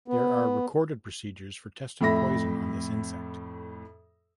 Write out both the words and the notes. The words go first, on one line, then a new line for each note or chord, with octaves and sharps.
There are recorded procedures for testing poison on this insect.
B3
F2 A2 E5 B5 A#6